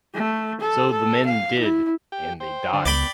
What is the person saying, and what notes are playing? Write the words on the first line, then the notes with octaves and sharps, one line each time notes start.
So the men did, and they died.
A3
A4
A4
F5
E4
G4 G5
C5 G5
D3 D4 C5
C#2 B3 D5 G5 B5